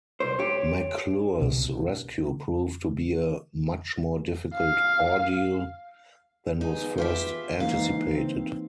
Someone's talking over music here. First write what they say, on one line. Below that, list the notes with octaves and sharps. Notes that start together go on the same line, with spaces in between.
McClure's rescue proved to be a much more difficult ordeal than was first anticipated.
C2 C5
G4 C#5
C2 B2
F5
B3 D#4 G#4
F4 G4 E5
G#2 E3 A#3 D#4 A#4 F5
C4